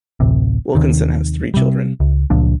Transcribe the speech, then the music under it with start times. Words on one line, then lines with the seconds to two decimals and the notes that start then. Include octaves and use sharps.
Wilkinson has three children.
0.20 D1 A1 C3
0.75 D#2 C3 D#3
1.54 C3 G3
2.00 C#2
2.30 C#2 A#2 F3 D4